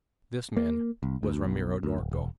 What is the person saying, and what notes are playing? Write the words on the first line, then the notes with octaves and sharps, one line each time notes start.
This man was Ramiro d'Orco.
A#3
C2
D2
B1
D2
D1
E1